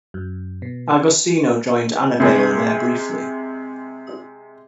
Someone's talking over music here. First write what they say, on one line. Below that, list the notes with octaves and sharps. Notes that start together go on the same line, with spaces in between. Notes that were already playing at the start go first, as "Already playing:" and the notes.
Agostino joined Annibale there briefly.
F#2
B2
C3 G#3